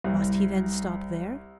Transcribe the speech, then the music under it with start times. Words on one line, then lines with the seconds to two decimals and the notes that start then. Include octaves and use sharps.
Must he then stop there?
0.04 C2